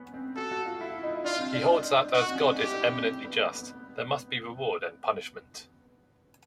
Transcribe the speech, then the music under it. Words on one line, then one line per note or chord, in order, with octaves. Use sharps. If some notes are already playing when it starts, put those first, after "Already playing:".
He holds that as God is eminently just, there must be reward and punishment.
Already playing: B3 C#4
C4
F#4 A4
F#4
F4
E4
D#4
D4 F4
C4
D4
D#4
D#4
D#4 F#4
C4
C#4
D4
D#4
E4 G4
D#4
C4
C4
B3
B3